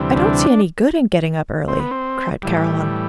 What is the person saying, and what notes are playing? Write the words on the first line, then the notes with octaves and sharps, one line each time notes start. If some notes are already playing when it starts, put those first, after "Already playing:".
"I don't see any good in getting up early," cried Caroline.
Already playing: D2 C3 E3 G3
D4
C4
B3
C4
A2 E3 G3